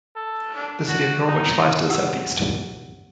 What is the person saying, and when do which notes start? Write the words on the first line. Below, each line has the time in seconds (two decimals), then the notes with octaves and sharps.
The city of Norwich lies to the south-east.
0.16 A4
0.56 D4
0.88 F#4
1.27 D#4
1.89 G4 F#5 E6